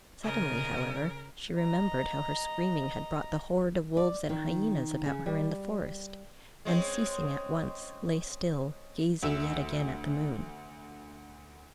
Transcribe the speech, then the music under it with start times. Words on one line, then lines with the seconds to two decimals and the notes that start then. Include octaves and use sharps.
Suddenly, however, she remembered how her screaming had brought the horde of wolves and hyenas about her in the forest, and, ceasing at once, lay still, gazing yet again at the moon.
0.23 C#3 A#4 D#5
1.57 D#5 A#5
3.97 D5
4.29 D#3
5.06 C#3
5.26 G3
6.65 G#3 C4 C#4
9.23 D2 E5 E6